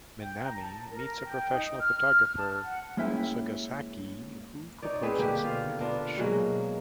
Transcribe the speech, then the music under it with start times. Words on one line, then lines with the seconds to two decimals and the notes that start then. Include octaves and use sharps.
Minami meets a professional photographer, Sugisaki, who proposes marriage.
0.21 G5
0.44 A#5
0.60 A5
0.91 A#4
1.25 G5
1.52 D#4
1.80 F6
2.37 A5
2.63 F#5
2.97 G#3 A#3 C#4 E4 E5 G5
4.83 D#4 C#5 D5
5.02 B3 C4 G#4 B4
5.17 B2 D3 A#3 G4
5.44 F4 F5
5.79 B3 D4 F4 A#4
6.17 B2 F#3 G#3 A#3